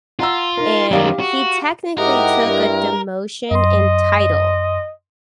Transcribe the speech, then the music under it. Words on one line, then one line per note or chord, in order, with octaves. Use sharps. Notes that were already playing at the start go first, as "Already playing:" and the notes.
and he technically took a demotion in title,
F4 F#5 A#5 E6
D#4 A#4
F#2 D#3 G4 F5 D6
F#4
G#2 E4 G4 A#4 D#5 F#5
G2
F#2 D#5 C6